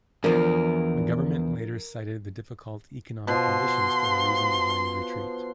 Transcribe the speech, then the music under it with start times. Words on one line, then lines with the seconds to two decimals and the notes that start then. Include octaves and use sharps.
The government later cited the difficult economic conditions for the reason behind the retreat.
0.24 E2 D3 F3 A#4
3.27 B2 F3 C6